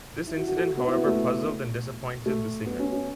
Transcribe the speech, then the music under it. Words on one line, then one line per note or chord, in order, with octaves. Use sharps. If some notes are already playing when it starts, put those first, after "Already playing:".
This incident however puzzled and disappointed the singer.
E4
F#4
F#4
A4
F#4
B3
E4
B3
A3
A3
B3
C#4
C#4